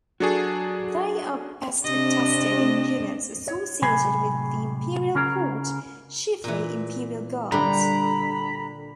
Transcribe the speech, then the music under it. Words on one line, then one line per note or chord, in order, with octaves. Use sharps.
They are best attested in units associated with the imperial court, chiefly imperial guards.
F#3 D4 F#4 G#4 A4
C3 C4 D4 D#5
C#5
A2 C3 F#3 G#4 G#5 B5
C#3 C#4 G#4 A#4 A#5
A#2 E3
D3 G3 A#5 B5